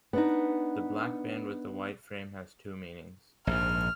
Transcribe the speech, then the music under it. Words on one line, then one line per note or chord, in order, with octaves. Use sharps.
The black band with the white frame has two meanings.
B3 D4 D#4
A#1 G#2 F6